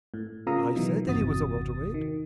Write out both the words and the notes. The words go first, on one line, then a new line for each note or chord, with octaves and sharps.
"I said that he was a welter weight."
A2
C#3 F4 A#4 A#5 D#6 E6
B2 D#3 E3 F#3
G1 E2 C3 F#4 D#6 A6
D#3